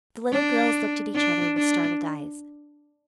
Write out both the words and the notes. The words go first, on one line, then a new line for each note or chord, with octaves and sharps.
The little girls looked at each other with startled eyes.
D4
D4
D4